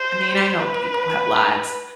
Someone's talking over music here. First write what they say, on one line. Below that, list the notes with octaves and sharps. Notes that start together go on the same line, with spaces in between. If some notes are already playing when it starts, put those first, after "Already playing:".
I mean, I know people have lives,
Already playing: C5
B4